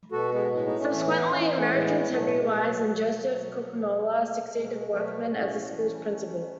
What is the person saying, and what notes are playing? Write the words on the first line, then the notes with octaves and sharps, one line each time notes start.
Subsequently, Americans Henry Wise and Joseph Coconower succeeded Workman as the school's principal.
B2 F#4 A4
G#3 B3
A2 G#3 B3
D#4
A3 C#4
E3
B3 D#4
E3 C#4
D#4
A3 C#4
A2 G#3 B3
B2 F#3 A3
G#3
B2
F#3
B2
B2
B2
B2
B2 G#3
B2 F#3 A3
A2 A3 C#4
E3
E3